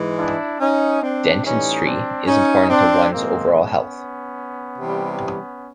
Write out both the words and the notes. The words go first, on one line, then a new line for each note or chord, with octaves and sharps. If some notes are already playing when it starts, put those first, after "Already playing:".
Dentistry is important to one's overall health.
Already playing: G#2 E3 G#3
D4 E4
C#4 D#4
C4 D4
A2 E3 G3 C#4 D#4
C4 D4
C#4 D#4
C4 D4
A#2 F3 G#3 A#3 C4
B3 C#4
C3 E3 G3